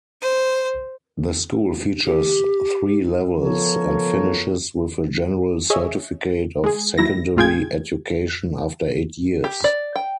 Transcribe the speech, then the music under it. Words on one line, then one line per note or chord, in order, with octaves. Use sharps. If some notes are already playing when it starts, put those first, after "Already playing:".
The school features three levels and finishes with a general certificate of secondary education after eight years.
C5
G4
F3 B3 F4 A4 A#4 C#5
G#4 C#5 D#5 E5
G#3 G#4
D#2 F#3 E4 A#6
A#1 A2 F4 G#4 G5 G#6
G4
D5
G5